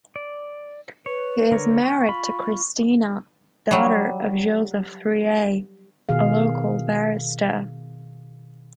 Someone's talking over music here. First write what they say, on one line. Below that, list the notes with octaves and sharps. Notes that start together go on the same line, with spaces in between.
He is married to Cristina, daughter of Joseph Triay, a local barrister.
D5
B4 C#5
D3 A#4 C#5
G5 C#6
F4 B5
F#3 G3
B2 D#3 G#4 F5